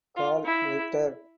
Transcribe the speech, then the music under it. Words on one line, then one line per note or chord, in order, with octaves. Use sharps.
Carl Ritter.
F4
E4